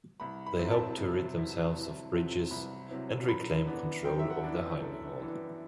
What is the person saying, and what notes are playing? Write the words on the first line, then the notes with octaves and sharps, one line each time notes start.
They hoped to rid themselves of Bridges and reclaim control over the hiring hall.
C2 B5
B5
C3 F#3 C4 E4
A5
C2
C3 F#3 C4 E4
C2
C3 F#3 C4 E4
C2 B5
C3 F#3 C4 E4
F#2 B5
E3 B3 D4
F#2 G5
E5
F#5
E3 B3 D4
E5
F#2 A4
E3 B3 D4